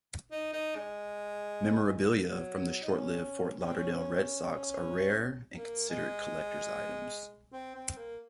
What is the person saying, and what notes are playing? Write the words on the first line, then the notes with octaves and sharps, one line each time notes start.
Memorabilia from the short-lived Fort Lauderdale Red Sox are rare and considered collectors' items.
D#4
D#4
G#3
F#3
D#4
C#4
C#4
C4
C#4
C#4
A#3
G#3
C4
C4
A#3